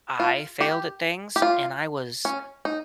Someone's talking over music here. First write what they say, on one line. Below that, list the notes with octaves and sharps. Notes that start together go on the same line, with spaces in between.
I failed at things, and I was
F4
G4
G4
F4
C#4
D#4